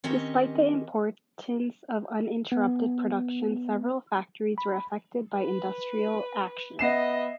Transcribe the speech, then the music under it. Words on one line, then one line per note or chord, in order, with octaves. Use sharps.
Despite the importance of uninterrupted production, several factories were affected by industrial action.
D#3 C4 C#4 G4 D#5
B3
B5
B4
B3 D#5 E5 C7 E7